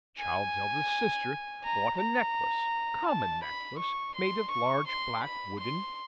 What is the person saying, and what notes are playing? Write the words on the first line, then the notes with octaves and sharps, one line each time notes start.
Child's eldest sister bought a necklace--common necklace, made of large black wooden beads.
G#5
A#5
A#5
A5
B5
C#6
C6
C#6
C6
B5
C6